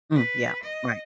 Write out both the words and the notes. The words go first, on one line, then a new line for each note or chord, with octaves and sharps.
Mm, yeah. Right.
B4
D#5